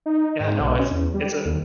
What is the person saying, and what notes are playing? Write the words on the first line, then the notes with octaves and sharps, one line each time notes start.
yeah, no, it's it's a
D#4
G#2
B1
C#4
E2
G3
D#2